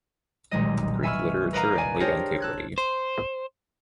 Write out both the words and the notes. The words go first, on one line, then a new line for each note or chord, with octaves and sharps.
Greek Literature in Late Antiquity.
D#1 B1 G#3 D#5
E5 G#5 B5 C#6 E6 F6
A#4 B4 D#5 F5 A#5
D5 G#5
D4 G4 G#4 A#4 C5 C#5
A4 F#6 G#6
C5